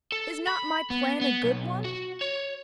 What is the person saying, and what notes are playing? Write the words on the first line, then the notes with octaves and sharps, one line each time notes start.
Is not my plan a good one?'
A4
B5
B3
B3
B1
F#4
C#5